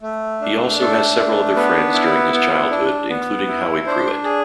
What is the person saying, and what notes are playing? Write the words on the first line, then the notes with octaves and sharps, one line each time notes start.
He also has several other friends during his childhood including Howie Pruitt.
A3
D4
A3 A4
D4
B3 B4
E4
B3
D4
B3
E4
D4 C5
G#4